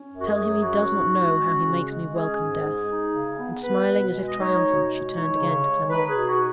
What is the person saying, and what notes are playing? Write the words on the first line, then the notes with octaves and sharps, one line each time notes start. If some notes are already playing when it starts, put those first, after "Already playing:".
'Tell him he does not know how he makes me welcome death.' And smiling, as if triumphant, she turned again to Clement.
Already playing: C#4
F#2
F#4
G#4
F#3
C#4 F#4
G#2
G#3
C#4
C#3
G#3
C#4 G#4
G#2
G#3
D#4
C#3
B3
B3 B4
B2
G#3
D#5
D#4 C#5
B2
G#3
D#4 C#5
C#3
G#3
D#4 B4
G#4
B2
F#4